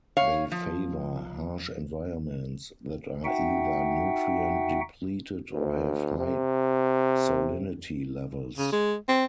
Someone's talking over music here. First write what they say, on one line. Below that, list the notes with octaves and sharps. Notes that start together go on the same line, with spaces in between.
They favour harsh environments that are either nutrient-depleted or have high salinity levels.
C#5 F5
F3
D#4 F#4 E5 F#5 G5
D2
C3
C#3
G#3
C4